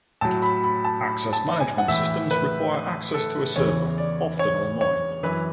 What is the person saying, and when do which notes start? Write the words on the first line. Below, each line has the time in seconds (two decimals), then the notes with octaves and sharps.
Access management systems require access to a server, often online.
0.21 A2 F#3 A5
0.42 B5
0.64 B5
0.85 A5
1.05 B5
1.33 A5
1.60 G#5
1.78 F#5
1.88 A2 E3 E5
2.31 B4
3.14 A4
3.56 E2 C#3 E3 C#5
3.98 D5
4.39 C#5
4.81 C#5
5.23 F#2 E3 B4